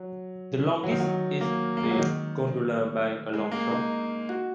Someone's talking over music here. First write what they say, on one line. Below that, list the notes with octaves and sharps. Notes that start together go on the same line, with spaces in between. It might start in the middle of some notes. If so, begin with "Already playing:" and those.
The longest is the Gondola by a longshot.
Already playing: F#3
F#3
D#3
F#3
A#3
A#3
G#3
F#3
D#3
G#3
A#3
D#4
F#4